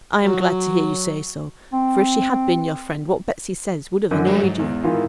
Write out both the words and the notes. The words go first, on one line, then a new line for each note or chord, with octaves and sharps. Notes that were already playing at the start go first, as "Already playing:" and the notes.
'I am glad to hear you say so, for if she had been your friend, what Betsy says would have annoyed you.'
F#3
C4
F#2 D3
F#3 G#3 A3
G#2
E2
D#3 E3 F4